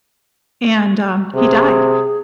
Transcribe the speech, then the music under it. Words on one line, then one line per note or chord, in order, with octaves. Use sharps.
and, um, he died.
C3 G#4